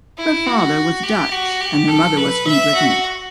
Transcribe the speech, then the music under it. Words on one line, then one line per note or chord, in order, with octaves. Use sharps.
Her father was Dutch and her mother was from Brittany.
E4
F#4
G4
F#4
G4
A4
B4
E5
F#4